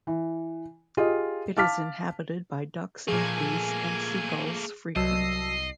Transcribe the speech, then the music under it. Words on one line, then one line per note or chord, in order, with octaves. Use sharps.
It is inhabited by ducks and geese and seagulls frequent.
E3
F4 G4 G#4 D#5
F5 A5 D6 F6 B6
A#2 F3 A3 A#3 G#4 G#5
C2 F#3 D#5 A5 E6 C7